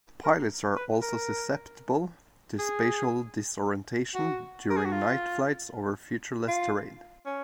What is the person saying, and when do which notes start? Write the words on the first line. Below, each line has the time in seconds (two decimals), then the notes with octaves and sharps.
Pilots are also susceptible to spatial disorientation during night flight over featureless terrain.
0.24 A#4
0.76 B4
1.02 A#4
2.59 G#4
4.14 F#4
4.70 A#4
4.77 G#4
4.85 F#4
4.92 F4
6.48 F4
7.26 C#4